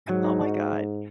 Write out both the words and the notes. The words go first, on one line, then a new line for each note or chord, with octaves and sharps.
Oh my god.
G#2 F#3
D#4
F#4